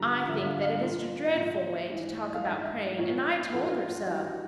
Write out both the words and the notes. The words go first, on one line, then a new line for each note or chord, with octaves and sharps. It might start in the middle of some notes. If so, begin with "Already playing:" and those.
I think that is a dreadful way to talk about praying and I told her so.
Already playing: G2 D3 F3 A#5
G2 D3 F3 E5
E5
F5
F5
A#2 F3
D#5
A#2 F3 E5
G#2 E3
F5
G#2 E3 E5
D#5
A#2 F3 C#5
A#2 F3 A4
F#4
F4
F4
G2 E3 F#4
F#4